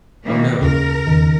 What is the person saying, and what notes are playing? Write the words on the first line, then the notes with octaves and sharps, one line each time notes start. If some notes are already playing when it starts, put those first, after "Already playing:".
"Oh, no."
D#3 E3 A#3
D#2 C#3 A#4
E2 D#3